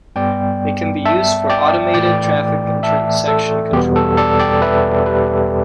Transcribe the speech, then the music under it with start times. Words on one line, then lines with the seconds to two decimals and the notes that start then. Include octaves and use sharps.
It can be used for automated traffic intersection control.
0.16 G2 G3 B3 D5 G5
1.05 E5 A5
1.50 D5 G5
1.94 A2 E3 A3 D5 G5
2.83 E5 A5
3.28 A4
3.72 E2 B2 G3 B3 G4
3.96 A4
4.17 A4 D5
4.39 D5 G5
4.62 B4 E5
5.06 G4 B4